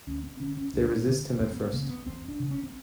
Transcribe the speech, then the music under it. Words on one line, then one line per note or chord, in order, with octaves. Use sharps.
They resist him at first.
D2 C#4
C4
D3 C#4
C#4
D2 D4
D3
E2 C4
B3
C#3 A#3
C4
B3
E2 C4
D4
C#3
C#4
C4